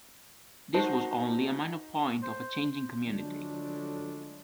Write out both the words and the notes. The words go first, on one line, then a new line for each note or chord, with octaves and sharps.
This was only a minor point of a changing community.
D#4 F#4 C5 A5
C5
D3 F3 F#3 G#3 A3 D4